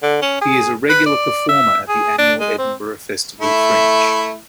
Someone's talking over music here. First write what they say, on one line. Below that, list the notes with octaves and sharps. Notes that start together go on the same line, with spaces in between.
He is a regular performer at the annual Edinburgh Festival Fringe.
D3
C#4
G#4
B4
D5
E5
G#4
D4
G#3
C4
A3 E4